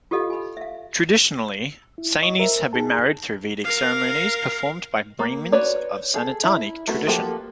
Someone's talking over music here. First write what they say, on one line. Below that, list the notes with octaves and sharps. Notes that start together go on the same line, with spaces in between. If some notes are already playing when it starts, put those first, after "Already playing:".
Traditionally, Sainis have been married through Vedic ceremonies performed by Brahmins of Sanatani tradition.
F4 G4 A4 D#5 F5
G#5 B5
E5 F5
E4
D#5 C#6
A#4 C5 E5
D#4 G#4 A5
A#4 F5
A#3
F#4 B4 C#5 D5
G#4 A4
E4
A3 B3 F#4
F3 A#3 F#4 G4 A4